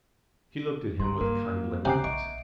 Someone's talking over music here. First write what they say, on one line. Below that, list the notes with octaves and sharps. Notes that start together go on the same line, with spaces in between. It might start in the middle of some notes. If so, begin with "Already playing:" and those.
She looked at him with kindling eyes.
D3 G3 A#5 C6
G2 A#3 A#4
F#4
C3 C#4 F#5 A#5 D6 G6 C7
A#1 D#5 E5 C#6 D7